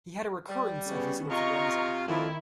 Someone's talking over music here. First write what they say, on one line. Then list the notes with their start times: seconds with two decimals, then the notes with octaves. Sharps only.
He had a recurrence of his influenza.
0.49 G3
0.89 C#3 B3
1.30 C3 F4 D#5 A#5 C#6
2.07 F2 A2 D#3 F3 E4